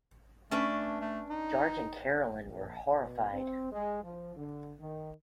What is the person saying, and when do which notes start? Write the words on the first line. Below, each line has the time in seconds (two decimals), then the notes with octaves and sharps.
George and Caroline were horrified.
0.51 A3 C#4 D4 B4
1.01 A3
1.30 D#4
2.43 A#1
2.95 B2
3.31 C4
3.72 G#3
4.03 F3
4.36 D3
4.79 D#3